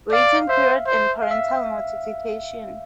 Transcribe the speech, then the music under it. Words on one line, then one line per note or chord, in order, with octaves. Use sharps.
Waiting Period and Parental Notification.
D5 F5
C5 E5
C5
F5
E5